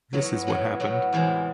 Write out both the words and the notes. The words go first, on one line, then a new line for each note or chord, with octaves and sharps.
This is what happened.
A2 F#3 B3
A2 F#3 B3
A2 F#3 B3
E2 C3 E3 G#3